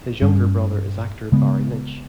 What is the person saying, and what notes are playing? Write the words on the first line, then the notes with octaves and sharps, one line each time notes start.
His younger brother is actor Barry Lynch.
G2 G3 C#4
C#3 G#3 B3